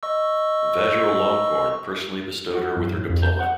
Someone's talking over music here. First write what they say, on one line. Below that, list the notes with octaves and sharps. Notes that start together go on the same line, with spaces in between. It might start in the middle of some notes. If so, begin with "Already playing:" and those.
Vajiralongkorn personally bestowed her with her diploma.
D#5 C#6 E6
F#4
F#2
A2
F2
G6
F#5